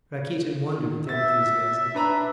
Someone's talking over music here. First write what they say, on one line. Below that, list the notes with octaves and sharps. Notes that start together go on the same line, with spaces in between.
Rakitin wondered at their enthusiasm.
E5 A6
D4 B4 A#5